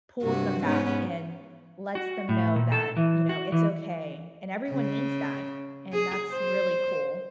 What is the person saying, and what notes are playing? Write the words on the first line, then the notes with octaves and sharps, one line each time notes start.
pulls them back and lets them know that, you know, it's okay, and everyone needs that, and that's really cool.
G2 C3 F#4
G#2 B3 C#4
F#4
A2
A#2
A4
E3
F#4
E3
C#3
G#4
C5